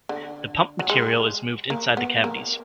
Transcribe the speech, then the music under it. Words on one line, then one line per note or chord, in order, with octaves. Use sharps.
The pumped material is moved inside the cavities.
D3
F#3
G#3
A#3
B3
A#3